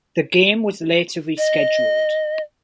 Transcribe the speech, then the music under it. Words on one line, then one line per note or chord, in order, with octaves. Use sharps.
The game was later rescheduled.
D#5